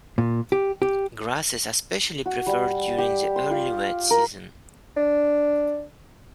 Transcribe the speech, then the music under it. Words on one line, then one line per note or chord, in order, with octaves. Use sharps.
Grasses are specially preferred during the early wet season.
A#2
G4
G4
F#4
G3
G4
C6
F4
A#4
D4